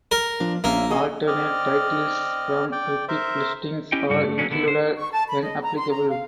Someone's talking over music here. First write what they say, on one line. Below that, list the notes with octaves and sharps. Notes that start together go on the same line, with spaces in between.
Alternate titles from repeat listings are included when applicable.
A#4
F3 D4
A#1 A#3 C#4 F4 E5
F#4 G#4 D#5
C4 D5 D#5 F6
D5 G5
A#4 C5 E5
C#4 E4 G4 D#5 G5
G2 C#3 G3 F#4
A3
F#3 A3 A#3 C#4 D4
D3 B3 E4
C5
C#6
A5
B5
D#5
A#5
C6
A#5
F5